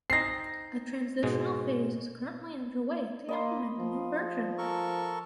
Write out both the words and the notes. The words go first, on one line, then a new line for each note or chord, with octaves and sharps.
A transitional phase is currently underway to implement the new version.
C4 D#4 A#6 C7
G#2 B2 G#3
A#3 D#5 B5 C6
F3
A4 A#4 C#6